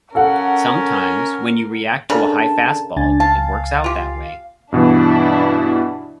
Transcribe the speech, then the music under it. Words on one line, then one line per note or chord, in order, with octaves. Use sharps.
Sometimes when you react to a high fastball it works out that way.
C#4 A4 A#4 F5 F#5
C#3 D4 A4 A#4 A5
C#2 D4 G#5 A6
F5 A5
F4 G4
G2 B2 E3 D4 E4